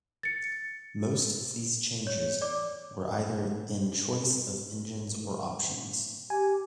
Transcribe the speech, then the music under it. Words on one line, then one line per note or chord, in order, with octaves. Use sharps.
Most of these changes were either in choice of engines or options.
A6 C#7
C#5
D5 D6
G4 G#5